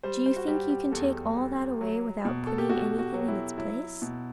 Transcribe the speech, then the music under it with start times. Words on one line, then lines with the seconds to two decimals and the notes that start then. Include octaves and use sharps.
Do you think you can take all that away without putting anything in its place?
0.03 G3 C5
0.26 C5
0.36 F#4
0.48 G3 G4
0.70 G4
0.92 E2 A4
1.37 G3
1.81 F#3
2.25 B2
2.47 A4
2.58 G4
2.69 B2 F#4
2.99 F#4
3.14 F#3
3.28 E4
3.58 F#3 E4
4.02 B2